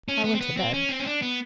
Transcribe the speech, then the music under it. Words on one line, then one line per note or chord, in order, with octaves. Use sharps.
I went to bed.
C#4
B3
C4
B3
C4
C#4
C4
C#4
D4
B3